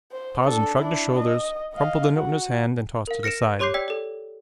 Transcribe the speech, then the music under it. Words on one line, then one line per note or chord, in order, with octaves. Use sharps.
Tarzan shrugged his shoulders, crumpled the note in his hand and tossed it aside.
C5
D4 A4
D4 E4
D#5
D#5 F5
F#4
A#4 F5
F6 A#6 C#7 D7 E7
G4 C#5 C6 D6 G6 C7
D5 G5 E6 B6
A4 D5